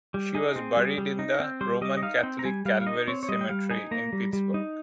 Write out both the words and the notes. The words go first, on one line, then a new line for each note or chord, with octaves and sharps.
She was buried in the Roman Catholic Calvary Cemetery in Pittsburgh.
G3
D#4 G#4
C4
G3
G3
D#4
C4
G3 C5
G3 D#5
D#5
D#4 F5
C4 G5
A#5
G3 G#5
G3 F5
F5
D#4 D#5
C4 C#5
C#5
G3 D#5
G5
G3 F5
D#4 G#5
A#3 A#5
G3
G3
D#4